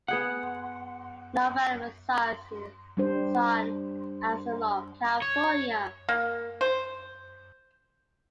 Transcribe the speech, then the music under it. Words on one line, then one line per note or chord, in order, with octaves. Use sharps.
Novello resides in San Anselmo, California.
B3 G#4 F#5 G5
G3 D4 C5
C#5
A#3
C5